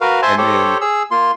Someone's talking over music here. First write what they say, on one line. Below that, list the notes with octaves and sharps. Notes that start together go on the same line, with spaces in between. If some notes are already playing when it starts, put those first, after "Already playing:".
and then,
F#4 A#4 B4 F5
C5 E5 G#5 A5 C6
G4 A4 C5 C#5
G#4 E6
A#3 F4 C6